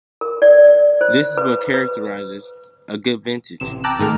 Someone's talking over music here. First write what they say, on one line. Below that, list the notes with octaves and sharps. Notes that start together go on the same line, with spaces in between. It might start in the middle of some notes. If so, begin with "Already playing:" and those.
This is what characterizes a good vintage.
A#4
D5
C5
B4
B4
A1 C3 E7
G5 A5 A#5 D6 E6 F#6
G#2 D#3 G#3 A3 F6